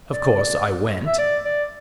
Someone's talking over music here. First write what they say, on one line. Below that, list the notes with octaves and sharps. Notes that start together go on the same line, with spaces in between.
Of course I went.
D5
E5
D5
D5